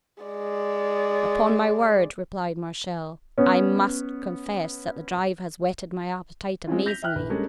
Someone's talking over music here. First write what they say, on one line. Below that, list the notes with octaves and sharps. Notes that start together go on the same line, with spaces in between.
"Upon my word," replied Martial, "I must confess that the drive has whetted my appetite amazingly."
G#3 D5
B3 C#4
G#3 C4 C#4 F4
G6 A#6 B6 F7 G7
E5 G5 F6 F#6
A#1 E3 B4
G3 G#3 A#3 C#4 D4 A4